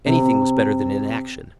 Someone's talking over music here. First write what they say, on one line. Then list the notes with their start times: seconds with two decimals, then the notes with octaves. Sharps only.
Anything was better than inaction.
0.06 C3